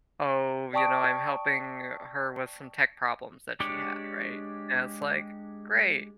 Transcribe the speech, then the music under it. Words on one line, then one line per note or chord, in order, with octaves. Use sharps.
oh, you know, I'm helping her with some tech problems that she had, right, and it's, like, great,
D5 G5 A5 C#6 D#6 D7
G#3 D4 G4 C#5 D5